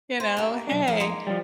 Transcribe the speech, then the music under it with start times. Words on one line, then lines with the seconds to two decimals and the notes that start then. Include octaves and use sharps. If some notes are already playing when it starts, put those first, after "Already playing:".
you know hey,
0.20 C5
0.37 G2 A#3
0.67 B1 D4
0.88 F2 G#4 A#4
1.00 G#3 A#3 D#4
1.27 F3 G3